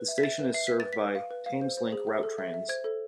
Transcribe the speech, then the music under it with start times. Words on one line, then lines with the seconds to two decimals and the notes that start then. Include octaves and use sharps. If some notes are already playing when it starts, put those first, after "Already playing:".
The station is served by Thameslink route trains.
Already playing: B4
0.08 E5
0.18 B6
0.23 E5 A6
0.39 B4
0.54 E5 C7
0.67 B4 B6
0.80 A6
0.85 B4
0.93 B6
1.01 B4
1.15 F5
1.31 B4
1.46 F5
1.61 C5
1.77 C5
1.92 G#4
2.07 E5
2.23 A4
2.38 E5
2.54 E5
2.69 C5 G#6
2.84 A4